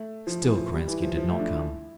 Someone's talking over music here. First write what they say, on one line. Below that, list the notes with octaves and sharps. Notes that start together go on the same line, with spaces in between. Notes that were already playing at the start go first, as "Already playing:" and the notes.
Still Kerensky did not come...
Already playing: A3
F3
E3
F3
G3
E3
F3
F3
A3
D4
E4